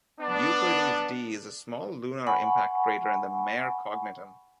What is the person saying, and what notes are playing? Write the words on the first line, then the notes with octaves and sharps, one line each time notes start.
Euclides D is a small lunar impact crater in the Mare Cognitum.
B3 D4
F#5 G#5 B5 C#6